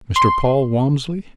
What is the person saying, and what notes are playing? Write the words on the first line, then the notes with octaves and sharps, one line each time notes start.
"Mr. Paul Walmsley?"
C6